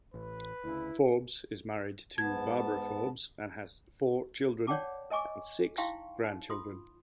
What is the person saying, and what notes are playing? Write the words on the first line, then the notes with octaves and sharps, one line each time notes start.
Forbes is married to Barbara Forbes and has four children and six grandchildren.
A1 A2 B4
D2 C#3 E4
G#2 B3 A5 G#6
C#5 D5 F#5 G5 A5 D6
A#4 D#5 G#5 C#6 D6
D#4 E4 F5 G5 C6 C#6
D#4
F4 C6 D#6